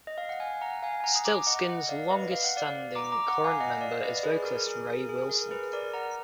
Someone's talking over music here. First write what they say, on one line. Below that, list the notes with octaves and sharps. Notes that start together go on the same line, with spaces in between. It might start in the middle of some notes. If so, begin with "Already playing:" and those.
Stiltskin's longest-standing current member is vocalist Ray Wilson.
D#5
F5
F#5
F5 G#5
F#5 A#5
F5 G#5
G#5
F#5 A#5
D#6
A#5 D6
D#5 F#5
D#5 F#5
D5 F5
B4 D#5
F5
F#5
D5 F5
A#5 D6
A#5 D6
F#5 A#5
F5 G#5
D#5 F#5
D5 F5
B4 D#5
D5
G#4 B4
A#4
G#4
A#4
G#4
A#4
G#4 B4
A#4 D5
F#5 A#5